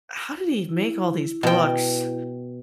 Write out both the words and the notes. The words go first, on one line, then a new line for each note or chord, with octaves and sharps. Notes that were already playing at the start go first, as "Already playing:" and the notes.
How did he make all these books?
E4
B2 G5